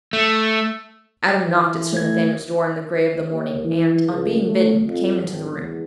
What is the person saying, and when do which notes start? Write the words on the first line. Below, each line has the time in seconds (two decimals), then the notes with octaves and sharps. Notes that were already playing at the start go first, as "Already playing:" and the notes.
Adam knocked at Sir Nathaniel's door in the grey of the morning, and, on being bidden, came into the room.
0.13 A3
1.45 E3
1.93 A3 G#6
3.30 D#2
3.64 E3
4.09 C#2
4.43 A3
4.87 F2
5.20 G#1
5.51 E2